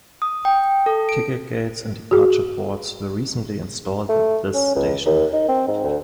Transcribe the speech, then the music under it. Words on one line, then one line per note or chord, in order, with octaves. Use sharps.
Ticket gates and departure boards were recently installed at this station.
D#6
G5
A4
D7
F#4 G#4
A3
C#4
C#2
D#2
D#4
C4
G#2
D2